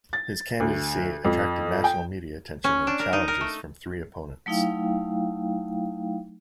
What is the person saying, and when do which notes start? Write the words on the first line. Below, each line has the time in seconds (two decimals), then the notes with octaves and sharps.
His candidacy attracted national media attention, and challenges from three opponents.
0.13 A6
0.60 D2
1.25 F2
1.84 G5
2.64 C#4
2.87 D4
2.99 A#4
3.13 D#4
3.28 A#4
3.41 A3
4.46 F#3 A3 D#4 E4 F5 G5